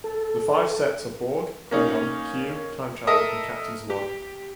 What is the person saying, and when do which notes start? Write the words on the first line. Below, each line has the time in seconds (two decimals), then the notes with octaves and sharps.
The five sets are Borg, Klingon, Q, Time Travel, and Captain's Log.
0.04 A4
1.71 A#3 C#4 D#4
3.07 A4 A#4 D#5 E5 D#6
3.90 G4